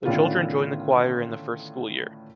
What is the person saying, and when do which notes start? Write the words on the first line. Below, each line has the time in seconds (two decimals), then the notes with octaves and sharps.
The children join the choir in the first school year.
0.05 A2 D3 D#3 B3 C#4 F4